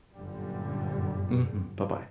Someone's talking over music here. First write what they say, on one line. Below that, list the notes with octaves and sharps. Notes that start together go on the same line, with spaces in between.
Mhm, buh-bye.
G1 F#2 A#2 D3 G3